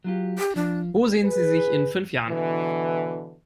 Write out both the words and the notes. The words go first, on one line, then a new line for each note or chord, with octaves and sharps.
Wo sehen Sie sich in fünf Jahren?
F#3 F4 G4
G4
F3 D4
G#4 B4
B2 D3 E3